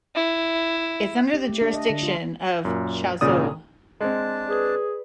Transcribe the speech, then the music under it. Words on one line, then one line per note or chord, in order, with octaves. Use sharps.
It is under the jurisdiction of Chaozhou.
E4
G4
A3
D4
D#5
D3
F4
F#2 A#2
G#1 A#2 C#3 D5 D#6
G#3 C4 D4 A5
G#4 B4 D5